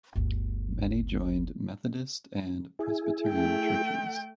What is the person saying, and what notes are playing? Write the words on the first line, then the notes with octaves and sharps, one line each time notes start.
Many joined Methodist and Presbyterian churches.
G1 D2
E4 G#4
A3 G5